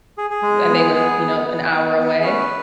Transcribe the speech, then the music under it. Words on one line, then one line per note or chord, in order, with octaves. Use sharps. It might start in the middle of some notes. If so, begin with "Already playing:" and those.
and they lived, you know, an hour away,
G#4
G#4
G#3
B3
G#4
B3
B3
B3
B3
G#4
C#4 B4